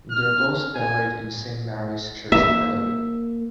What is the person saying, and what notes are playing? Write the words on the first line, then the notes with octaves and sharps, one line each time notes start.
They are both buried in Saint Mary's Church Purley.
F6
G#5
A#3 E5